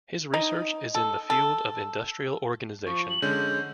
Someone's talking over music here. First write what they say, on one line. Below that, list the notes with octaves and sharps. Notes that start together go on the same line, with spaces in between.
His research is in the field of Industrial Organization.
D#4
A4
A4
F3 C#6
F#7
D3 G#3 C#4 G6